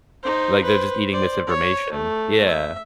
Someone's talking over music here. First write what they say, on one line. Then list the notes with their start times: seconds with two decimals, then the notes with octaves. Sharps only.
like, they're just eating this information Yeah.
0.22 D#4 C5
0.64 B4 C5
1.12 C5 D5
1.47 C#5
1.92 A3
2.46 E5